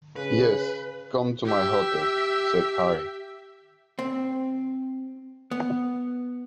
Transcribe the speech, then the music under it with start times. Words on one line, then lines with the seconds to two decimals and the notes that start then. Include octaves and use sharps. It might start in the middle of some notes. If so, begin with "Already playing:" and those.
"Yes; come to my hotel," said Harry.
0.16 C#3 B4
1.45 G4 E5
3.99 C4
5.51 B3